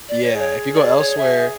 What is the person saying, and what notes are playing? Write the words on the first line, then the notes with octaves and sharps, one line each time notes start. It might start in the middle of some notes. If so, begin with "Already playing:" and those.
Yeah, if you go elsewhere
D5
C#5
G#4 C#5
D5
C#5
E5